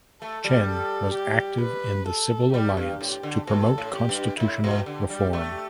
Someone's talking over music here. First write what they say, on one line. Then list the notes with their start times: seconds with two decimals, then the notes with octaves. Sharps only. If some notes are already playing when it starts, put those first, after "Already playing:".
Chen was active in the Civil Alliance to Promote Constitutional Reform.
0.22 A3 A4
0.44 G3
0.68 A4
1.15 G4
1.61 B4
2.08 A4
2.54 G3 G4
2.77 G2
3.01 A2
3.23 D3
3.47 B2 A4
3.78 A2
3.94 G4
4.09 G2
4.40 A2 E4
4.64 B2
4.86 D3 G4
5.10 G3
5.33 A3